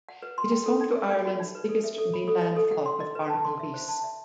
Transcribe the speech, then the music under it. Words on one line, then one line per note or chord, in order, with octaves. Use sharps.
It is home to Ireland’s biggest mainland flock of barnacle geese.
F#5
B4
C6
G5
A4
D#4
E5
D#4
F#4
D#4
B4
A4
E5
A4
B5
A4
D#5
A4
F#5
C6
D#5
B4
A5
C6
E5
C5
A5
E5